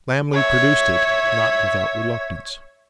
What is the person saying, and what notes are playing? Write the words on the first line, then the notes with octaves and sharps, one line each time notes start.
Lammle produced it, not without reluctance.
C#5 E5